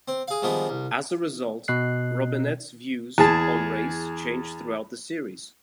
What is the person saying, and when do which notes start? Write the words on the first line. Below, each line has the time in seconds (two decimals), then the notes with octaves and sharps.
As a result, Robinette's views on race change throughout the series.
0.08 C4
0.28 G#4 F5
0.42 G2 D#3 F3 G#3 B3
0.69 C2
1.68 B2 D#5 F#6 C7
3.18 E2 G#4 A5